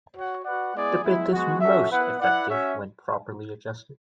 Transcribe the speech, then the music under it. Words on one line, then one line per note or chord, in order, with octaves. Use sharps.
The bit is most effective when properly adjusted.
F#4 C#5 F#5
F#4 B4 D5 F#5
G#3 B3 E4 G#4 D5
G#3 B3 E4
G#3 B3 F#4
C#4 F#4 A4 E5
B3 E4 B4 F#5
E4 B4 D5 F#5
C#4 F#4 C#5 E5